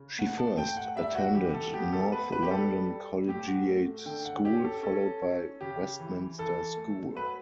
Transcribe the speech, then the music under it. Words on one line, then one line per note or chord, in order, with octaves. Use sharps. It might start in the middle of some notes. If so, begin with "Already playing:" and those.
She first attended North London Collegiate School followed by Westminster School.
Already playing: C#3
A2 F#5
A5
A2 G5
F#5
G3 E5
F#4
E3 G4
A4
B3 G4
A4
B3 B4
B4
G4
G3 A4
G3
A2 G4
F#4
A3
D3 G5
F#5
C#4 G4
A4
C#4 A4
C#4
C#3 G4
E3
E3 A4
A3
F#3 B4